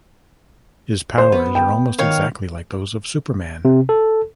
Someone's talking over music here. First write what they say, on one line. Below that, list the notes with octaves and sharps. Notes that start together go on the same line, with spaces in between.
His powers are almost exactly like those of Superman.
C5
B3
G5
D#3 C#5 F5
C3
A4